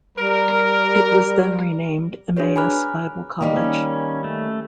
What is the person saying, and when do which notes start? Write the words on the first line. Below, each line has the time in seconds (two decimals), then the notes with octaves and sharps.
It was then renamed Emmaus Bible College.
0.17 G3 A#4
2.37 D4 F#4 G#4 B4 C#5
2.56 G#5 A#5 B5 D6 F6 F#6
3.41 D#3 G3 A#3
3.57 C#4
4.24 A3